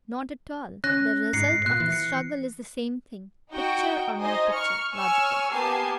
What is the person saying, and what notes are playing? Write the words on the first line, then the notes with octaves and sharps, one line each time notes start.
"Not at all: the result of the struggle is the same thing--picture or no picture--logically."
C#4 F#6 A#6
G#2 C7 C#7
A#2 F#6
E3
C#7
D#4 F#4 G5
D#4 C5 D#5 G#5
C#6 F6 C#7
C#5 G#5 C#6 E6 F6
A#3 B3 G4 G#5 A5 C7